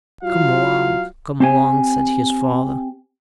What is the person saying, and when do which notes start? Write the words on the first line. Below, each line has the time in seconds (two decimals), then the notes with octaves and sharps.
"Come along, come along!" said his father.
0.23 F#3 E4 F4 F5
1.40 C4 G4 G#5